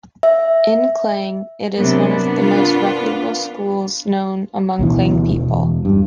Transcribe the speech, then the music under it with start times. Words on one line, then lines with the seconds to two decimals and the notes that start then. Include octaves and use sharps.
In Klang, it is one of the most reputable schools known among Klang people.
0.23 E5
1.76 C3 F#3 B3 D4 A#4
2.38 F4
4.79 D2 B2 E3
5.31 E1
5.85 G2